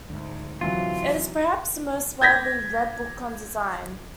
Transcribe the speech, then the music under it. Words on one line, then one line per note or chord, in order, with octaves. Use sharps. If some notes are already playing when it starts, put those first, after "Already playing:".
It is perhaps the most widely read book on design.
D2 G#2
C3 E3 F#3 F4
G6 G#6 A#6 B6